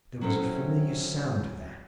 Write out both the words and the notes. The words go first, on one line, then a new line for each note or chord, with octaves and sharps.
There was a familiar sound to that.
F#3 C4 C#4 E4 A4 C5